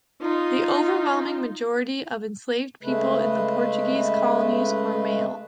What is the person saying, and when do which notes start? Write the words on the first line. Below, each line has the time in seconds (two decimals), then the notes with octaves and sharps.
The overwhelming majority of enslaved people in the Portuguese colonies were male.
0.22 D#4 F4
2.83 C#3 G#3 A3 B4